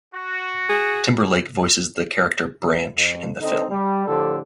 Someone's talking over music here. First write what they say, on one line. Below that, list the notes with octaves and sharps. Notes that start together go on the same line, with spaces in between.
Timberlake voices the character "Branch" in the film.
F#4
G#4
F2
D3 C4 D#4
G3
A2 D3 F3 G4 A4